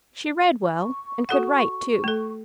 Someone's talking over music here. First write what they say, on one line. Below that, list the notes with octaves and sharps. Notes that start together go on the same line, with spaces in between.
She read well and could write, too.
C#6
F#4 A4 F#5
A3 A4